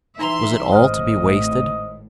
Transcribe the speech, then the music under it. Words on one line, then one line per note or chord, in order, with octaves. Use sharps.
Was it all to be wasted?
E3 D#4 E5 A#5 C6 F7
G#1 A2 C5 D#5 F6